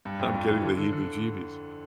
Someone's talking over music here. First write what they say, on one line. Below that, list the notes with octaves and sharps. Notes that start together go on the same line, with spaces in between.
I'm getting the heebie-jeebies.
G2
F2
F2
E3
D3
D3
D3